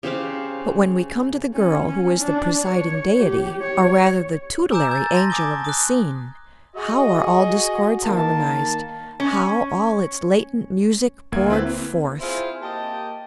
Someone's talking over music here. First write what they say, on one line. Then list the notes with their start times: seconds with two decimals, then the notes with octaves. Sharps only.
But when we come to the girl who is the presiding deity, or rather the tutelary angel of the scene, how are all discords harmonized; how all its latent music poured forth!
0.03 C#3 G4 C5 F5
1.54 C#4
1.86 C#4
2.20 D4
2.63 C#5
3.18 G4
3.62 C#5
4.72 G#5 A#5 D6 E6 G6 E7
4.91 G#6 A6
5.12 A5 C6 A#6
5.30 G#5 D6 D#6 G#6 G7
5.65 D#6 F#6
6.76 F#4 G#4 D#5
8.04 D#3 A#3 A5
9.20 C#4
11.32 D2 A#3 G#6
11.50 C4 E4 B4
12.21 C4 E4 F4 G#4 C5
12.61 A#3 G4 D#5 G5 A5